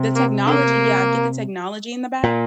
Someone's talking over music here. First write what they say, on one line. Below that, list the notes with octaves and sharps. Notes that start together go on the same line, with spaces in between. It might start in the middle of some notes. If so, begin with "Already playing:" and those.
The technology, yeah, I get the technology in the back,
Already playing: C3
A#3
D3 A#3
A#2